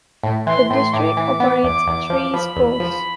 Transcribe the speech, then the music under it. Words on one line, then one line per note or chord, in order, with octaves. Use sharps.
The district operates three schools.
A2
E3 C6
A2 C6
A2 D6
E3
B3
E2 D6
E2
F3
F3 B5
E2
F3